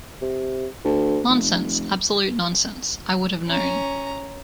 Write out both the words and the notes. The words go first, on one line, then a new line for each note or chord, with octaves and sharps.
Nonsense, absolute nonsense: I would have known.
C3
D2
F1
C#4 A#5